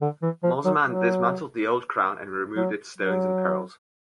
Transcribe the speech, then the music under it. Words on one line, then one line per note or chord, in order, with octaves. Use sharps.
Mosman dismantled the old crown and removed its stones and pearls.
D3
E3
F3
F#3
F#3
F#3
F#3